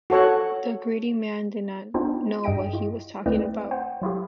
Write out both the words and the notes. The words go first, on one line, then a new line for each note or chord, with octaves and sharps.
That greedy man did not know what he was talking about.
F#4 A4 C#5 F#5
B3 C4 D4 D#4 F4 C5
G2 G#4 D#5 G5 A#6 D7
E4 F4
C#2 A3 C4 E4 B4 D5
C5 F#5 G5
F#3 E4 F4 G4